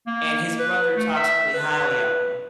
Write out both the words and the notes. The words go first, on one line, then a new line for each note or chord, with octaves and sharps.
and his brother talks really highly of him,
A#3
B4
A3
E5
B4